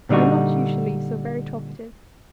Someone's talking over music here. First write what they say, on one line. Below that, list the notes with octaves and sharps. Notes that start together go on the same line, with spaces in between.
I am not usually so very talkative.
A#2 D3 G3 D#4 F#4